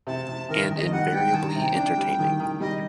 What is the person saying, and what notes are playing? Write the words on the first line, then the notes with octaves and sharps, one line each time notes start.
And invariably entertaining.
C3 A5
C3
D#3 A#4
D#3
D#5
G3 F#5
G3 G5
D#3 A5
A#5
C3
G5
D4
G3
D#3
D#3
G3 D#5